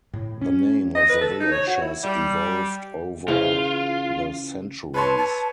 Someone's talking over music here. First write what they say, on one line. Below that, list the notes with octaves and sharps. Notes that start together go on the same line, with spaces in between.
The name of the village has evolved over the centuries.
A2
C#4
D#5
B4
A4
D#4
C#5
F#4
E4
G3
C#3 E3 F4
B4 C#5 A5 C6
A5